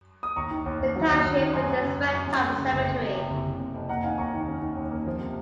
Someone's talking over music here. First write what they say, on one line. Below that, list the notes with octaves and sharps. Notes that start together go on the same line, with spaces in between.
The township contains Redtop Cemetery.
D#6
D#2 A#5 C#6
D#3
D#2
D#2
F#3
D#2
D#2
D#3
F#2 G#5 C6
F#2
C#3
F#2
F#2
F#2
G#3
C#3
F#1
F#1
C3
C3
F#1
F#1
C3
F2
A#3 F#5 A#5
D#3 F5 G#5
D#2 A#5 C#6
D#3
C#4
D#3
D#2
A#3
F3
C3